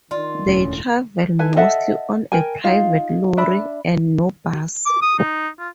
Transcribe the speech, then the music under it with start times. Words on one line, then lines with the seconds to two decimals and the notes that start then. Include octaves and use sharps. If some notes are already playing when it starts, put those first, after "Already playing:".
They travel mostly on a private lorry and no bus.
0.11 D#3 F4 D5
0.46 E1 D2 A2 C#4
1.39 E4 A4 B4 G#5
1.57 A4 D#5 E5 F#5
2.32 A#4 G5 G#5
2.64 D#4 F4 F5
3.37 D4 E5 B5
4.86 D6
5.02 D#6
5.19 D#4
5.59 F4